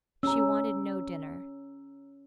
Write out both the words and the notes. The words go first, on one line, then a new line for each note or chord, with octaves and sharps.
She wanted no dinner.
C#4 A#5 E6